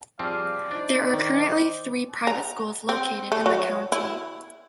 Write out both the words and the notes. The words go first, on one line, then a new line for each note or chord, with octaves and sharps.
There are currently three private schools located in the county.
F3 G3 C4 G#4 D5 F5
D4 D#4 C5
D#3
A#5
C4
A3
F#3
E4